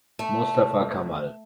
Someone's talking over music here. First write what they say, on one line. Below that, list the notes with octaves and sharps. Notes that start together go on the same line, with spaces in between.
Mostafa Kamal.
A3